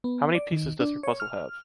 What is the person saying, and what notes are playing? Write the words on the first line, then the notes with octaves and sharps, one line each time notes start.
How many pieces does your puzzle have?
B3
D5
D#3
D4
C#5
F6